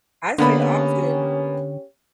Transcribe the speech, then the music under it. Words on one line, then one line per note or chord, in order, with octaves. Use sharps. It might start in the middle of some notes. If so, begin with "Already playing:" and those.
I say often
D3 A#3 B3 C#4 G4 C#5 B5